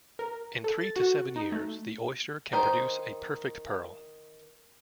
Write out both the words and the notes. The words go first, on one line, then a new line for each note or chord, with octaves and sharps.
In three to seven years, the oyster can produce a perfect pearl.
A#4
A4
A6
F#4
D#4
A3
D#3 D#4 C5